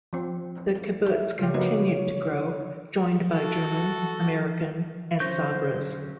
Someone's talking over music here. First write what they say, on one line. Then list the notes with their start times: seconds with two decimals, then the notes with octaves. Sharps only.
The kibbutz continued to grow, joined by German, American, and Sabras.
0.13 F3 C4
1.08 E5
1.39 C#3 F4 G4 C#5
1.54 A#3 B3 D#4 F#4
3.32 F#4 A4
5.20 D3 F#3 C#4 C5 C#6 G6 A#6